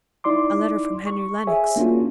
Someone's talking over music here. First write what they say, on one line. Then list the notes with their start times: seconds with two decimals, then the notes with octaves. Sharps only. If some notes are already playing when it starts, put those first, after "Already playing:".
'A letter from Henry Lennox.
0.24 D#4 E4 D5 C6 D6
1.07 C#6
1.47 G#4 C#5 E5 G#5
1.76 A#3 C#4 D4 F4 F#4